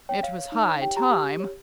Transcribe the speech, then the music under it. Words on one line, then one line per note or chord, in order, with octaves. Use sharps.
It was high time.
C#5 G5
C#5 F5
C#5
D#4
C#5
G4 G5
G4 A#5
G4
G4
C#5